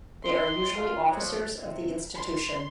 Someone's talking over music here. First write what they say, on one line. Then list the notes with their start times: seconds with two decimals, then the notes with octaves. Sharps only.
They are usually officers of the institution.
0.24 C3 D#5 A#5 C6
0.73 G#2 D3 F4
1.07 F3 F#3
1.55 C3
2.15 C6